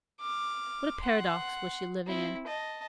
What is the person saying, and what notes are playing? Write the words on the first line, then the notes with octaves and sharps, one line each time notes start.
What a paradox was she living in!
D6 F6
F#5 C6
C4 E4
D#5 A5